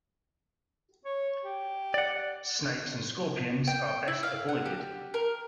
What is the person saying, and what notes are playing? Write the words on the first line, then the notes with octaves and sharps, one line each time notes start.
Snakes and scorpions are best avoided.
C#5
G4
D5 F#5
G5
E4
F5
F#5
G4
A#4